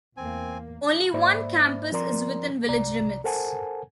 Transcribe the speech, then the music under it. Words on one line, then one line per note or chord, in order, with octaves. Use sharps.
Only one campus is within village limits.
E2 A#3 C4 G#5
G#2 A#3 C5 D5 E5 B5
F3 C4 A#4 D5 A#5 C6
C2 C3 D5 A#5
A4 A#4 C5 F#5 G#5 A5